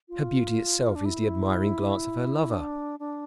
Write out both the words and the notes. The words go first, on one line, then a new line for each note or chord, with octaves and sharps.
Her beauty itself is the admiring glance of her lover.
F4
D4
E4
D4
D4